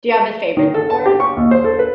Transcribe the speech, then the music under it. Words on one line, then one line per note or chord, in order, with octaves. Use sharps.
Do you have any favorite sport?
D#3
A4
A5
G4
C#6
D#2
C5
A4
B4